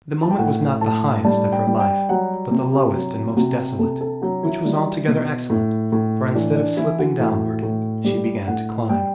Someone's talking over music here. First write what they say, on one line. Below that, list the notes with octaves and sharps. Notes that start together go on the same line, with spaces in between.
The moment was not the highest of her life, but the lowest and most desolate, which was altogether excellent, for instead of slipping downward she began to climb.
A5
G5
A2 F#5
A2 A5
G3 A5
G5
G3
G5
F#3 F#5
C3
G4
F#3
C3 F#4
C3 A4
A4
F#3 F#4
E4
G3
B2
A2
A2
E3 D4
D4
E3 E4
F#4
A2
A2
G3 G4
A2 F#5
G3 G5